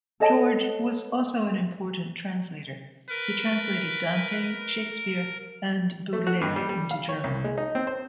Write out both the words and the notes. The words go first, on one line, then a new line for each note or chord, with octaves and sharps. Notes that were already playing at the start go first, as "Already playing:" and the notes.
George was also an important translator; he translated Dante, Shakespeare and Baudelaire into German.
A4 C#5 D#5 A5
A#4 B4
A3
F#4
G2
G3
G3
F5
C#5
C2
G#3
D#4
C4
C5